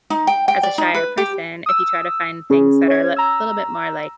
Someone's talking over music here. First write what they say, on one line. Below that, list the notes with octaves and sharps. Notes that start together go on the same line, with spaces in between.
as a shyer person, if you try to find things that are lit a little bit more, like,
D#4
G5
G5
D5
D#4
B4
G4
D#6 E6
C#4 G#4
C#5 G#6
A#5 E6